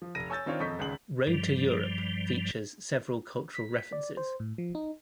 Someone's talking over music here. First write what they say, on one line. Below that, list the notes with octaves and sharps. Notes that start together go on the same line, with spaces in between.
"Road to Europe" features several cultural references.
F3
F1 A#6 D#7
C#5 G#5 E6 G6 A6
D#3 C4 D4 F4 C#5
E1 F2 D#5 C#6 G6 B6
G#1 C#2 C#3 G#4 F#7
G2 F3 G3
B6
D5
C5
A2
F3
D#4